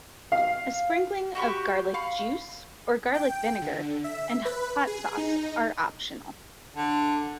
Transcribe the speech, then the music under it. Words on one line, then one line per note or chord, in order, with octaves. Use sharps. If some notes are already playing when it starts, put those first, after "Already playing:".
A sprinkling of garlic juice, or garlic vinegar, and hot sauce are optional.
F5
F#4 G4 B5 C#6
F5 B5 C#6
G5
D3
E5
B4
G#4
D#4
D3